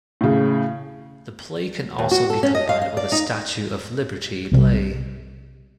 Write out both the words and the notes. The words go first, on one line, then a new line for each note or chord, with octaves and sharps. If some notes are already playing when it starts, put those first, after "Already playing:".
The play can also be combined with a Statue of Liberty play.
A2 C#3
D#2
F#4
A4
C#4
D#5
F5
F5
D5
D#4
B1 C3 G3